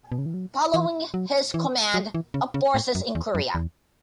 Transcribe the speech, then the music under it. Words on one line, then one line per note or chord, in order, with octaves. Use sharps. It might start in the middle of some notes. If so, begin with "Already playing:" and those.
Following his Command of forces in Korea.
B2
C#3
E3
F#3
E3
F#3
E3
F#3
E3
C#3
C#3
A2
F#2
E2
F#2
E2